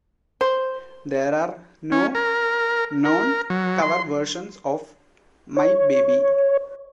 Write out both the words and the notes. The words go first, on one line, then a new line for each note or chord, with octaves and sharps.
There are no known cover versions of "My Baby".
C5
C#4
A#4
A#4
F#3
C6
C#5